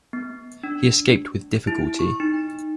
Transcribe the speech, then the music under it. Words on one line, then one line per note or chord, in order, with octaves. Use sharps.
He escaped with difficulty.
B3
D4
E4
C#6
D#4